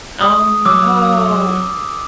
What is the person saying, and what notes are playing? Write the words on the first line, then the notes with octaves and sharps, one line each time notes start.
Oh, no.
D#6
F#3 D6 E6